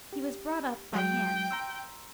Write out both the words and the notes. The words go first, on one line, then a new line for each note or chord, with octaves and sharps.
He was brought up by hand.
G4
F#3 G#3 G5
A#5 C6 E6